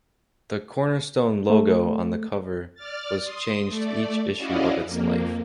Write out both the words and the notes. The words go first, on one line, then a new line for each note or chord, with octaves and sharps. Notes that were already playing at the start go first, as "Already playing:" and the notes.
The "Cornerstone" logo on the cover was changed each issue of its life.
A3
D5 F6 A6
C6 D#6
A3 D5
C#4 E4 F#4 D5 D#5 F5
F2 A#3